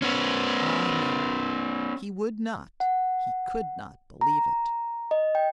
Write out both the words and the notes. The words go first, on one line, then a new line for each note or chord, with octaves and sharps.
Ah, no! he would not, he could not believe it.
B3 C#4
F#5
A#5
D#5
G5